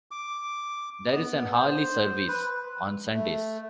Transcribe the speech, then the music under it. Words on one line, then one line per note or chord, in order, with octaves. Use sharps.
There is an hourly service on Sundays.
D6
B3
C5
B4
A3